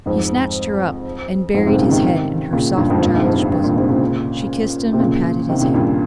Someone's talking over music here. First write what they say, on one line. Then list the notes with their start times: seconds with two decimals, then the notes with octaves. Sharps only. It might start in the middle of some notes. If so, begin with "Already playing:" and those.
He snatched her up, and buried his head in her soft, childish bosom. She kissed him and patted his hair.
0.06 F2 G#2
1.54 F2 G#2
1.66 G#2 C3
1.79 A#2 C#3
1.91 C3 D#3
2.53 A#2 C#3
2.77 G2 A#2
2.90 F2 G#2
3.02 G2 A#2
3.14 G#2 C3
3.27 F2 G#2
3.39 F2
3.52 G2
3.64 G2 A#2
3.76 G#2 C3
3.89 A#2 C#3
4.93 C3
5.00 A#2 C#3
5.49 C3 D#3
5.61 A#2 C#3
5.74 G2 A#2